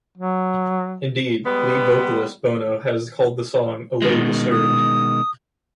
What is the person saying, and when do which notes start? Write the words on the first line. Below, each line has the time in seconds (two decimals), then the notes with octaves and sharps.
Indeed, lead vocalist Bono has called the song "a little disturbed".
0.18 F#3
1.46 G3 G#3 B3
4.02 B2 D#3 G#3
4.51 D#6